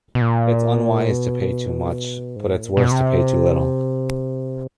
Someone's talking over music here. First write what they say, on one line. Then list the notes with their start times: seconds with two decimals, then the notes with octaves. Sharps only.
It's unwise to pay too much, but it's worse to pay too little.
0.15 B2
0.21 A#2
1.11 B2
2.36 G#2
2.50 A2
2.64 A#2
2.77 B2
2.91 C3